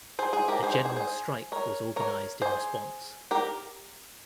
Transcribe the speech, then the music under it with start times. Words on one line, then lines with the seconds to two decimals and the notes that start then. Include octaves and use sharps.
A general strike was organized in response.
0.19 G#4 C5
0.33 G#4 C5
0.48 G4 A#4
0.63 G#4 C5
0.74 G#4 C5
0.85 G#4 C5
0.96 G#4 C5
1.52 A#4 C#5
1.96 A#4 C#5
2.42 G#4 C5
3.31 G4 A#4